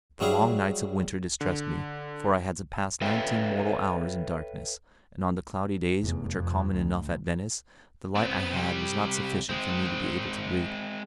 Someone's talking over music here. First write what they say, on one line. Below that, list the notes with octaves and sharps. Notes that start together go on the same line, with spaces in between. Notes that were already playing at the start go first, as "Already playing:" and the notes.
The long nights of winter distressed me, for I had to pass nineteen mortal hours in darkness; and on the cloudy days, which are common enough at Venice, the light I had was not sufficient for me to be able to read.
F#3 G3 E4 G#4 F5
D3
A4 B4 C#5 E5 F5 G5
F1 E2
F2
D2
B3 C4
C3 G3
G#3 C4